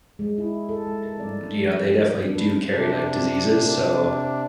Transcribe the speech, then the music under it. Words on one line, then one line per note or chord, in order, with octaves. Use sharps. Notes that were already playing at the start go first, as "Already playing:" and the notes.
yo you know, they definitely do carry, like, diseases, so,
G#3
E4
A4
G#3
A#4
D5
F3
D4
B4
C3 D4